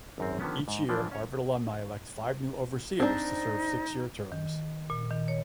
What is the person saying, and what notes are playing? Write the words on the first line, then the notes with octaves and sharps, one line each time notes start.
Each year, Harvard alumni elect five new overseers to serve six-year terms.
G#1 F#2 C4
D3 D#3 F3 B3 C#4
G#2
E3 F3 D4
C#4 C#5
C4 D4 D#4
D#3
A#2
D#3
C#5